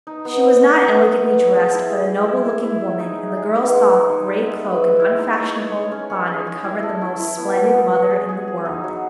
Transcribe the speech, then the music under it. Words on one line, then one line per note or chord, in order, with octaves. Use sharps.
She was not elegantly dressed, but a noble-looking woman, and the girls thought the gray cloak and unfashionable bonnet covered the most splendid mother in the world.
D#4
B3
B3
B3
B3
B3
B3
B3
G#4
E4
G#4
E4
E5
E4
E4
E5
D#4
G#4
G#4
B3
G#3
G#3
D#4
G#3
E5
B4
E5
E4
D#4
C#5
C#5
C#5
C#4
C#4
G#4
G#4
E4
A4
E4
E4
B3
F#4
B3
F#4
G#4
G#4
G#4
D#4
F#3